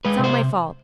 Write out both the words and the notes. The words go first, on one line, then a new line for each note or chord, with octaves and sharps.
It's all my fault.
G#3 B4
C3 C5